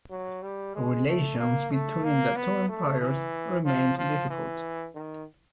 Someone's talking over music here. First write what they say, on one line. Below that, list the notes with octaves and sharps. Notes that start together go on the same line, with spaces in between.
Relations between the two Empires remained difficult.
F#3
G3
G#3
A3
A#3
A3
A#3
B3
A3
E3
F3
F3
E3
D#3